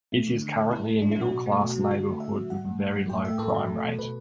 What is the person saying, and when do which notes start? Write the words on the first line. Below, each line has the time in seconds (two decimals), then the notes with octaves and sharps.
It is currently a middle-class neighborhood with a very low crime rate.
0.12 A3 E4
0.27 D3
0.42 D3
0.57 A3
0.71 A2 E4
0.86 A3
1.02 A2 D4
1.11 F#3 E4
1.21 F#4
1.31 B2
1.46 A3
1.60 B2
1.75 F#3
1.90 D3 F#4
2.06 A3
2.20 D3 E5
2.35 F#3
2.50 G3 F#5
2.65 A2
2.80 A2
2.95 G3
3.09 A2 G5
3.24 A3 E5
3.39 A2 A4
3.54 F#3
3.69 A3
3.84 B2
3.99 B2 B4